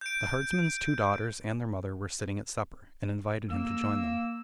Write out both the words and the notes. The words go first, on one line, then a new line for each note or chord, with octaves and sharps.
The herdsman's two daughters and their mother were sitting at supper, and invited him to join them.
G6 D7
A#3 E6